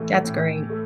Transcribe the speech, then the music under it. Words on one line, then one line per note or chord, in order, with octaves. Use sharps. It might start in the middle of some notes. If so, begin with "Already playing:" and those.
That's great.
Already playing: A2 E3 A3
A2
A3